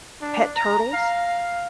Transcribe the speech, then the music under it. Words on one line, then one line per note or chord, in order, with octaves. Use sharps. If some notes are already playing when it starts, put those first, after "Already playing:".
pet turtles
D4
A#5
F5